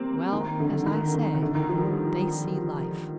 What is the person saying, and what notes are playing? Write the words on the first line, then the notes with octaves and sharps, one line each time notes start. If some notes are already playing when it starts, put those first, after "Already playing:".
Well, as I say, they see life.
Already playing: G3 A#3 C4
D#3
D3
D#3
D#3
D#3
D3
D#3
F3
G3